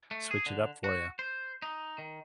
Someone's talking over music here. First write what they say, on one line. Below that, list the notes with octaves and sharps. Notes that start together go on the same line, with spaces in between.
switch it up for ya.
A3
G#4
D3
F#4
C5
D#4
D#3